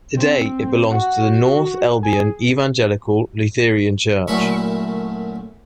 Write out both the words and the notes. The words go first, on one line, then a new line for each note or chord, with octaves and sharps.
Today it belongs to the North Elbian Evangelical Lutheran Church.
C4
F#4
G#4
F#2 A#2 A3 E4 B5 C#6